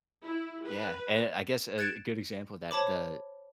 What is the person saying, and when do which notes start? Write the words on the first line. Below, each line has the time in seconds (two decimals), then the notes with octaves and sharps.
Yeah, and, I guess, a good example of that, the
0.25 E4
0.66 B4
1.78 F#6 G#6 A6 C#7 D7 E7
2.71 C5 C#5 A5 B5 D6